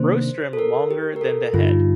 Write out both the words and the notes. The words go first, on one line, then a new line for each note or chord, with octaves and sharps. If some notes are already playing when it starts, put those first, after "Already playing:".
Rostrum longer than the head.
Already playing: C3 D#3 A#3 D4 C5
A4
A#4
G4
A#4
A4
G2 D3 G3 F4
D#4
F4